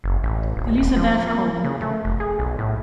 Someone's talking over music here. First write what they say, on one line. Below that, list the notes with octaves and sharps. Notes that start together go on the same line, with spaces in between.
Elizabeth Cole.
F#1
A1
D1
E1
F3
A#3
C#3
A3
F1
G#4
B1
A2